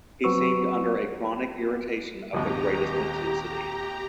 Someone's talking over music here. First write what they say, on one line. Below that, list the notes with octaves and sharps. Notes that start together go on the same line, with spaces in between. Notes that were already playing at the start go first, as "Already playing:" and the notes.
He seemed under a chronic irritation of the greatest intensity.
F#3 C4 F#4 B4 C#6 E6
D#1 G#1 D#2 G4 A#5